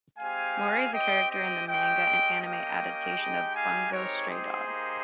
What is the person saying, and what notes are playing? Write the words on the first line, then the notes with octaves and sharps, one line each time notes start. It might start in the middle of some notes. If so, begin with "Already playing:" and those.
Mori is a character in the manga and anime adaptation of "Bungo Stray Dogs".
G#3 C4 G4 F5 G#5
C4 G4 D#5 G5
D#5 G5
G#3 C#4 G4 D#5 G5
A#3 C#4 G4 D#5 G5
G#3 D#4 G4
F5 G#5
G#3 C4 D#4 G4 A#4 C#5
G#4 C5
A#3 D#4 G4